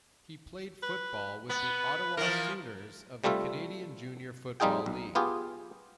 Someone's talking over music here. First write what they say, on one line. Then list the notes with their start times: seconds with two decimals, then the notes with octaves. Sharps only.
He played football with the Ottawa Sooners of the Canadian Junior Football League.
0.83 B4
1.50 B3 B4
2.17 E3 F3 A#4
3.24 C3 G3 A3 F4 E5
4.60 F2 G3 D#4 F4 G#4 G5
4.86 B1
5.15 B3 F4 G4 G#4